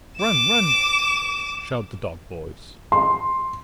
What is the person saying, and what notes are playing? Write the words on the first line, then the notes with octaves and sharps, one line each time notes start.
'Run! run!' shout the dog-boys.
D6 E7
C6